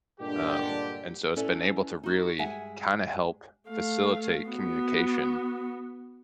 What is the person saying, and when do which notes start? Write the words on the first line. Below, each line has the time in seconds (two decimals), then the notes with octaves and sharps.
Um, and so it's been able to really kinda help facilitate communication
0.20 G2 A#2 D3 G#3 D4 G4
1.36 C#4 E4 A4 B4 D5
2.03 D#4 F#4
2.38 G2 G#3 G#4 E5 F#5 G#5
3.69 A3 F5
4.47 B3 F#4